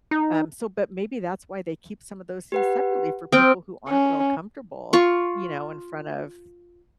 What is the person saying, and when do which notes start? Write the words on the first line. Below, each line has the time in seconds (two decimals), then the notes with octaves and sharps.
Um, so but maybe that's why they keep some of those things separately for people who aren't real comfortable, you know, in front of,
0.11 D#4
2.52 G4 B4 F#5
3.32 C4 G5 D#6 F6 G6
3.88 C#4
4.93 F4 C#6